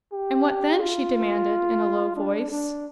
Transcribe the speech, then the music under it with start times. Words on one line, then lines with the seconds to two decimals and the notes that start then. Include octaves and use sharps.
"And what then?" she demanded, in a low voice.
0.12 G4
0.80 F4
2.16 D4
2.51 D4